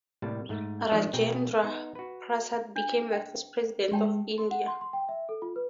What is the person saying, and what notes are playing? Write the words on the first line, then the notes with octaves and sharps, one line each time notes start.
Rajendra Prasad became the first President of India.
A2 C3 G3 A#3 A5
G#2 A3
D#3 F3 G#3 A3 D4 D#4
B2 C4 G#4 G5 A#5
B3 D#4
F#4 B4
D4
G5
G#3 G4 G5 A5
C6
F#5
C6
C6
G5
E5
A4
F4
B4